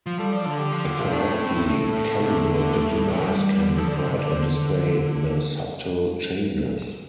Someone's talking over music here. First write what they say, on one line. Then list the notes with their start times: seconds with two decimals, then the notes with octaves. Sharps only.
A correctly calibrated device can record and display the subtle changes.
0.06 F3 F4
0.19 G3 A4
0.32 F3 D5
0.46 D3 A4
0.59 G4
0.72 F3
0.85 D3 F4
0.99 C3
1.12 A2 D4
1.33 A3
1.40 C4
1.66 A2 A3
1.93 A2
2.20 C3
2.37 D3
2.54 D3
2.73 A2
2.90 G2
3.08 A2
3.25 G3
3.68 D3
3.78 F3 A4
3.88 D5
3.92 D3 C5
4.06 C3
4.14 D5
4.19 D3
4.27 D5
4.33 C5